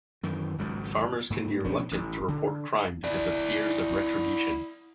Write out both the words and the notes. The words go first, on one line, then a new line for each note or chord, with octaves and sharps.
Farmers can be reluctant to report crime because of fears of retribution.
F#2 D#3 E3
G#1 C#2 G#2 F#3
G#2 A#3
B2 F3 C#4 D4
A1
D3
E4 D5